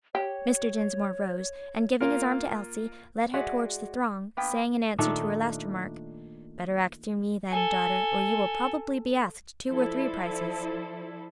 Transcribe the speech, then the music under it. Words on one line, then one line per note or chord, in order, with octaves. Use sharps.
Mr. Dinsmore rose, and giving his arm to Elsie, led her towards the throng, saying in answer to her last remark, "Better act through me, then, daughter, or you will probably be asked two or three prices."
G4 C#5
A#3 F4 A#4
G#3 F#4 G#4 D5 E5 F#5
A#3 B3 G5
A#2 D#3 A3 D4
A4 G#5
F3 E4 A4 C5 D5